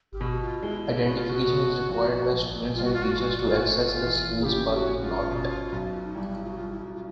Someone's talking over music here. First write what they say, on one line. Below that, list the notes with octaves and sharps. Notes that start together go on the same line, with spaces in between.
Identification is required by students and teachers to access the school's parking lot.
G4
B2 F#4
F4
G#3 E4
E4
B3 F#4
F4
F#4
B2
A#1
A#1
G3 F4
F#4
F4
F#4
F4
A#1 F#4
F4
F#4
F4
A3 F#4
F4
F#4
F4
E3
G#4
C#3 G4
F#4
C#4
F4
B2
B1
D#4
G3 E4
F4
F#4
G3 F4
E4
F4